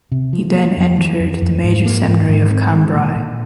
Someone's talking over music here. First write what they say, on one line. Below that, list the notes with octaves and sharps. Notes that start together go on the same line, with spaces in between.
He then entered the Major Seminary of Cambrai.
C3
F3
A#3
F2
E3
F2
F2
G#2
A#3
G#2
G#2
C4
G#3
A#2
A#2